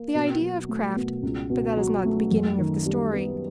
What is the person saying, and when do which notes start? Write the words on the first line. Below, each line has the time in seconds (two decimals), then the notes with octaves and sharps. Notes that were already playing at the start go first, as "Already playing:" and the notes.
The idea of Kraft--but that is not the beginning of the story.
Already playing: A#3
0.15 B2
0.41 F#3
0.69 A3
0.96 B2
1.23 C#2
1.50 B2
1.77 F#3
2.05 A3
2.31 F#2
2.59 D#3
2.86 G3
3.13 B3